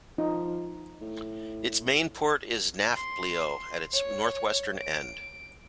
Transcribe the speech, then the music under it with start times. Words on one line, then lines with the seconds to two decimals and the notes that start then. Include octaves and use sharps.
Its main port is Nafplio, at its northwestern end.
0.18 F3 D#4
1.02 A2
2.95 C6
3.93 C#5
4.78 D7